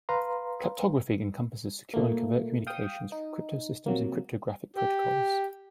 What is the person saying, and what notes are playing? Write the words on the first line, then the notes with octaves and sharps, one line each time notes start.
Kleptography encompasses secure and covert communications through cryptosystems and cryptographic protocols.
B4 F5 A#5 C6
A#2 A3 A#3
F5 G5 D#6
D#4
C3 F#3 A#3
G4